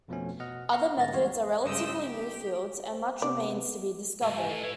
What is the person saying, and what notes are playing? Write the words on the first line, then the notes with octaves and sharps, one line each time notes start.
Other methods are relatively new fields and much remains to be discovered.
F2 B2 F3 A3 B3 C#4
B2 B3 D#5 F#5 F6
F5 F#5 A#5 C#6 F6
G#2 D3 A#3 C#4 A6 A#6
E2 G3 G#3 F4 C#5 F5
G2 C#3 G#3 D#6 E6 G6
G4
C5
C3 B3 D5
C#2 G#2 E5 F5
G4 D#5 F5 G#5
A2 A4
E4 B4 C#5